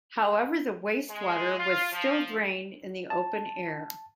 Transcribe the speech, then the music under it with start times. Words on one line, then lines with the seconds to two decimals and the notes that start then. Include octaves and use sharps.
However the wastewater was still drained in the open air.
1.10 G#3
1.59 F4
1.92 F3
3.10 A5